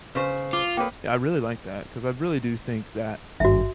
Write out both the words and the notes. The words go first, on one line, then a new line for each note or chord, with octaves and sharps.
Yeah, I really like that 'cause I really do think that
C#3 B4 C5 C#6
F4 D6
A#3 A4 B4 C#5 G5
G#1 G2 F#4 E5